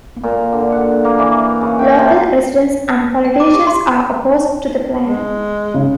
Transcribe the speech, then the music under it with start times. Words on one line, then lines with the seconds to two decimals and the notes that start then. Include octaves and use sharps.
Local residents and politicians are opposed to the plan.
0.23 A#2
0.52 D3
0.72 F#5
1.05 A#3
1.19 E3
1.61 C#3
1.79 G5
1.99 C3
3.25 G5
3.40 D6
3.54 G4
3.67 C6
5.07 G#3
5.74 C#3